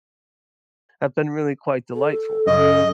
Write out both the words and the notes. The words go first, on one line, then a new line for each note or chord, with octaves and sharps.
have been really quite delightful.
A4
F#2 C#3 D#5